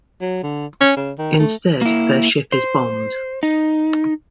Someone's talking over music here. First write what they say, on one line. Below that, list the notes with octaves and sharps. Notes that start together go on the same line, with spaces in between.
Instead, their ship is bombed.
F#3
D3
C#4
C#3
D#3
A3
A#3 E4
C5
D#4